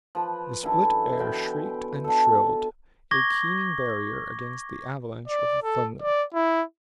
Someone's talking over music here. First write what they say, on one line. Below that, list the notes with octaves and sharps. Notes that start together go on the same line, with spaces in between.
The split air shrieked and shrilled, a keening barrier against the avalanche of the thunder.
F3 B4
F#2 D3 E3 E4
B2 C5 G5 B5
D3 A4
C#6 D6 G#6 A#6 G7
D5
A4
D5
E4